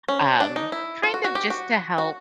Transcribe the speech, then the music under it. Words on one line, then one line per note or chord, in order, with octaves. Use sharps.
Um, kind of just to help
C#4
D4
D#4
E4
F4
F#4
F#4
G4
F#4
F#4